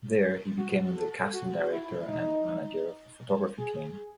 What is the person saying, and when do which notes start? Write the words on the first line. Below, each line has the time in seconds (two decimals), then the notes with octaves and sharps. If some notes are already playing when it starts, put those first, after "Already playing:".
There he became the casting director and the manager of the photography team.
0.59 F#4
0.96 A4
1.34 F#4
1.71 E4
2.08 D#4
3.59 G#4